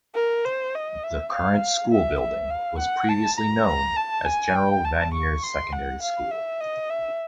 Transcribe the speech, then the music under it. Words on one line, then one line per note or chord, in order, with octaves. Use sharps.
The current school building was previously known as General Vanier Secondary School.
A#4
C5
D#5
E5
F5
E5
E5
F5
F#5
A5
A#5
A#5
A5
G#5
G5
A5
C#6
C6
F#5
F5
E5
D#5
E5